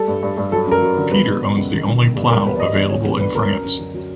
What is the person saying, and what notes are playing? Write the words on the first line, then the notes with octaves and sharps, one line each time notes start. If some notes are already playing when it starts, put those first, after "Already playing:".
Peter owns the only plough available in France.
Already playing: G3 A4
G2
G2
G2
F#3 A4
F#2 A#4
F#3
D3
B2 B4
B2
B2
C#2
D#3
G1
G1
G2
E2 A#4
G3 B4
D5
B2 D#5
E2 D5
D2 C#5
B3
D3 B4
D2 A#4
F#2
F#2
F#2
F#3